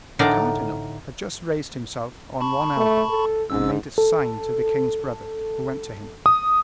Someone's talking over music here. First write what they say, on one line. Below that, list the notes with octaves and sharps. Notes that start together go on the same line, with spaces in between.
The cardinal had just raised himself on one elbow, and made a sign to the king's brother, who went to him.
A2 D3 D#4 A#4 D5 A#5
A5 B5 C#6
A3
A4
A1 G#2 C#4 E6
A4
D#6